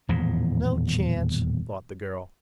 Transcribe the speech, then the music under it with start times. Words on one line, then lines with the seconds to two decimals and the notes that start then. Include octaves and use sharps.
"No chance," thought the girl.
0.09 D#1 E2 A2 F3